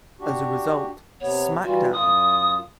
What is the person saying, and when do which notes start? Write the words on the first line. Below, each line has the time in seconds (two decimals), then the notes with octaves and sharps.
As a result, SmackDown!
0.20 D4 F#4 G4
1.21 C3 B3 C#5
1.65 E3 G3 F4 F#4
1.92 F#2 F4 D#6